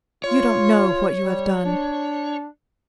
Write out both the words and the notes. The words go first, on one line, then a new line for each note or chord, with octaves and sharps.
You don't know what you have done.
F4 C#5
G3
D4